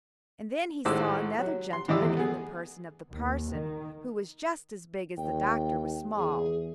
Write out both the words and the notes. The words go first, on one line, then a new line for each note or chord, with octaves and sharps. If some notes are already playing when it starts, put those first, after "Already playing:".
And then he saw another gentleman in the person of the parson, who was just as big as the doctor was small.
G#1 A2 G#3 C5 D6 E6
F#3
C6
G#2 E3 D#4 G4 D5 E6
E2 A3
B3 G#4
D#2
D#3
D#2 G5
E2 G#4